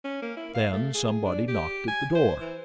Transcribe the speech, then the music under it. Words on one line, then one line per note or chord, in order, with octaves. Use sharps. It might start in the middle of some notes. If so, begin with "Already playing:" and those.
Then somebody knocked at the door.
C#4
A#3
E4
F5
A3
G#4
D4
G4
G#5
C5
E3